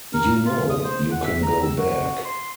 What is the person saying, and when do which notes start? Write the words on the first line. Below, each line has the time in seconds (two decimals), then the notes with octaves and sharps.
You know, you can go back.
0.13 A#4
0.46 F4
0.70 D#6
0.84 C5
1.11 F#5
1.23 E5
1.43 A#5
1.63 E6
1.77 F#4
2.25 C6